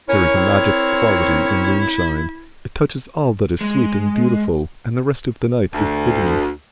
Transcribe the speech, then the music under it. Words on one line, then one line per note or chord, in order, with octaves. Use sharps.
There is a magic quality in moonshine; it touches all that is sweet and beautiful, and the rest of the night is hidden.
C#4 E4 A#4 C#5
C4
G#3
D2